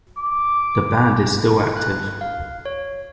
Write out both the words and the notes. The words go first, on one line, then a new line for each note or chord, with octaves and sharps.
The band is still active.
D6
F#6
F5
C#5